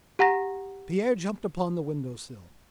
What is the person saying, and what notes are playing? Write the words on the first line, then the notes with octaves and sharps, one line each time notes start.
Pierre jumped upon the window sill.
G4 F#5 A#5 A#6